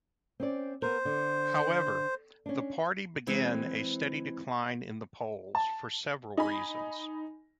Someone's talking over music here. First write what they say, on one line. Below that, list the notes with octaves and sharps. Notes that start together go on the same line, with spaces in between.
However, the party began a steady decline in the polls for several reasons.
C4 C#4 D5
B3 A#4 C5
D3
C#4 D4
E3 G#3 C4
A5
D#4 G#5 B5